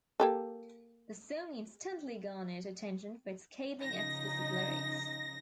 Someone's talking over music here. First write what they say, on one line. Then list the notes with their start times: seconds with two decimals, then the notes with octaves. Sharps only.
The song instantly garnered attention for its scathing, explicit lyrics.
0.20 A#3 G4 A4
3.81 C#3 F3 D#4 A#6